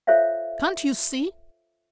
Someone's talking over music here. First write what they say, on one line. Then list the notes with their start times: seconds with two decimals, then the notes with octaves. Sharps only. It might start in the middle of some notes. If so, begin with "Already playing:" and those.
"Can't you see?"
0.07 F4 A4 C5 C#5 E5 F5